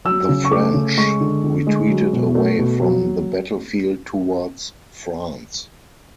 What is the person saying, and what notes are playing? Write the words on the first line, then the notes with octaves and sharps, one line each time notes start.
The French retreated away from the battle field towards France.
F#3 E6
C#3
C#6
A3 D6
C#3
G#3 C#6
D3
D3
G#3
F#3
B2
A3
B2
F#3